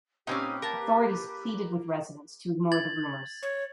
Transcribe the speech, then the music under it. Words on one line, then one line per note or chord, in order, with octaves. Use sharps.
Authorities pleaded with residents to ignore the rumors.
A#2 C4 C#4 D#4 G4 B4 F5 G#5
A#3 A#4 A5
G#6 A6 F#7
C#5